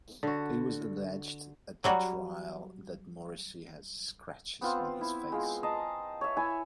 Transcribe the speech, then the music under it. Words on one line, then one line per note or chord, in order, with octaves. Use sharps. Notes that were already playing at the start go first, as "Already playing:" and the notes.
It was alleged at the trial that Morrissey had scratches on his face.
D3 F#4
F#3 G3 F#4
B3 C4 F4
E4
G#3 F4
D#5 A5 A#5 C6
C#5 E5
E4 G#5 E6